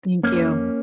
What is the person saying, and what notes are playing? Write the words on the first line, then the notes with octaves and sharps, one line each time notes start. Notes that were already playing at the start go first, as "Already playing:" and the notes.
Thank you.
F2 A#3 C#4